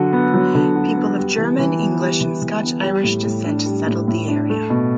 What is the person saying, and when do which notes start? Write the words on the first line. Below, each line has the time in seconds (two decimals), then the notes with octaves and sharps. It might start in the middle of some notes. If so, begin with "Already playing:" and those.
People of German, English, and Scotch-Irish descent settled the area.
Already playing: D3 F#3 F#4
0.13 B3
0.34 F#3
0.55 D3
0.76 F#4
0.96 B3
1.17 G3
1.38 E3
1.59 E3
1.79 B3
1.99 G3
2.21 E3
2.42 E3
2.62 B3
2.83 G3
3.04 A2
3.25 A2
3.45 D4
3.66 G3
3.87 A2
4.08 A2
4.28 D4
4.50 A3
4.70 B2